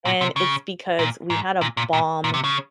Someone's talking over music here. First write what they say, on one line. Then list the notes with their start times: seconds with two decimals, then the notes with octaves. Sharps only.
And it's because we had a bomb
0.05 A#2
0.21 C3
0.36 C#3
0.99 A#2
1.30 G#2
1.61 A#2
1.77 A#2
1.93 A#2
2.24 A#2
2.34 C3
2.44 C#3